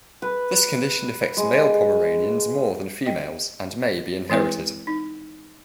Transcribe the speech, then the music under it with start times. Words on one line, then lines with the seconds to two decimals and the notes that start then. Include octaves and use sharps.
This condition affects male Pomeranians more than females, and may be inherited.
0.22 B4
1.37 G#3
3.06 D#5 G5
4.30 E3 G#3 C4 E4 B4
4.87 D#4